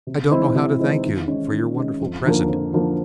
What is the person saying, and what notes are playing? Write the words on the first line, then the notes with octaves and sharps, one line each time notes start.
I don't know how to thank you for your wonderful present.
C3
E3 G#3 C4 E4
C3
E3 G#3 C4 E4
D#3
G#3 C#4
D#3
G#3 C#4
F2
D3 F3 A#3
F2
D3 F3 A#3